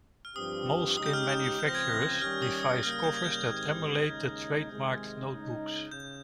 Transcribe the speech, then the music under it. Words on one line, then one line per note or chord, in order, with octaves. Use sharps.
Moleskine manufactures device covers that emulate the trademarked notebooks.
F6
G2 F3 C4 G4 D#6
C#3 G#3 D#4 G4 D#6
G6
F6
G6
G6
C#2 C#3 F3 C4 G6
A#6
G#6
A#6
D#3 G3 C#4 G4 F6
D#6
D#6
C#3 G3 A#3 F6
G6
G#6
G6
G#2 D#3 G#3 C4 G4 G6
D#2 C#3 G#3 D#4
C3 D#3 G#3
C#3 G#3 D#4
C#3 G6